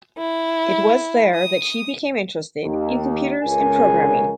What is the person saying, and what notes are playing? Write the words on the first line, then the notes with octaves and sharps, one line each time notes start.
It was there that she became interested in computers and programming.
E4
D#6
D#2
C#2 C#3 A#4 G#5